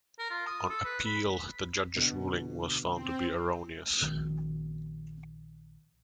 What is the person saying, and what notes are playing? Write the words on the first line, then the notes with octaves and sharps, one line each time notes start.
On appeal the judge's ruling was found to be erroneous.
A#4
F4
D#6
A4
B4
B5
B2 D3
C4
A#1 D#3